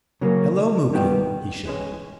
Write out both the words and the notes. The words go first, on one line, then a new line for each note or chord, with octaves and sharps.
"Hello, Muky!" he shouted.
C#3 F#3 A#3 C#4
D#3 G3 B3 D4 G4
E3 G#3 C#4